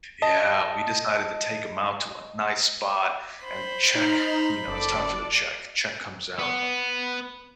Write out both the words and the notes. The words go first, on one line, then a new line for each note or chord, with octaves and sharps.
Yeah, we decided to take him out to a nice spot and check you know, it's time for the check. Check comes out
D#5 A5
C5 B5
D#4 A#5 F6
F#1 A4 D5
B3